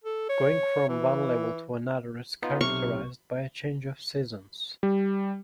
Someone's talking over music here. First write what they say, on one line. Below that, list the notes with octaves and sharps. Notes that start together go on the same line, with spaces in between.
Going from one level to another is characterized by a change of seasons.
A4
C#5
E3
B3 D#4 F4
B1 C3 C#6 F6
G3